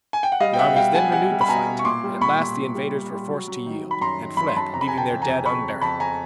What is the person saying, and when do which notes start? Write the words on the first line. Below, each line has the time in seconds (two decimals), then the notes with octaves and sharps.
The armies then renewed the fight, and at last the invaders were forced to yield, and fled, leaving their dead unburied.
0.13 G#5
0.23 G5
0.32 F#5
0.40 G3 D#5 F5
0.53 G5
0.58 B2 E5 F#5
0.76 G3 F5 G5
0.94 G3 F#5 G#5
1.12 G3 F#5 G#5
1.31 G3
1.41 B5
1.48 B2 G#5 A#5
1.66 B2
1.79 C#6
1.85 A#2 C6 D6
2.04 G3
2.21 A#2 B5 C#6
2.39 A#2
2.57 A#2
2.75 G3
2.94 G3
3.12 G3
3.29 F#3
3.48 F#3
3.66 D#3
3.83 D#3
3.91 B5
4.01 F#2 A#5 C6
4.20 D#3
4.37 F#2 B5
4.48 C6
4.56 F#2 A5 B5
4.73 F2 A#5
4.81 B5
4.88 C#3 G#5 A#5
4.98 G5 A5
5.10 F2
5.22 G#5 A#5
5.28 F2
5.46 F2 B5 C#6
5.64 F2
5.81 F2 A5 B5
6.00 F2 G#5 A#5